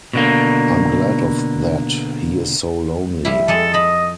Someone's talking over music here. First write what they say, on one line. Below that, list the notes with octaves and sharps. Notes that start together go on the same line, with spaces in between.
I'm glad of that, he is so lonely.
B2 D3 A#3
F3 G3 E4
F2 G#3 G#4 A4
A4 D#5 B5